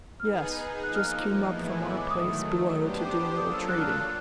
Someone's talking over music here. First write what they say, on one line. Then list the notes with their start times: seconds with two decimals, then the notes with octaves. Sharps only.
"Yes; just came up from our place below to do a little trading."
0.19 B3 D#4 G#4 F6
0.83 F3 A#3 D#4 F#6
0.95 F6
1.07 F#6
1.46 A2 E3 G#3 B3 E4
1.98 D6
2.10 D#3 F#3 A3 D#6
2.73 B3 D4 G4 C5
3.05 D6
3.32 D6
3.37 F#3 A#3 D4 F4 A4 D#6
3.53 E6
3.69 F#6
3.79 F6
3.90 F#6
4.00 F#6